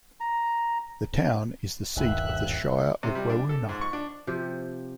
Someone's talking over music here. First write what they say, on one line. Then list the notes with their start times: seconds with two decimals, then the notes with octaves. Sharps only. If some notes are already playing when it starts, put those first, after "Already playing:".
The town is the seat of the Shire of Waroona.
0.20 A#5
1.97 G1 D#2 E5 F#6
3.03 C3
3.15 G3
3.29 D4
3.49 A4
3.69 G#2
3.81 C#6
3.93 D4
4.27 C3 F3 G4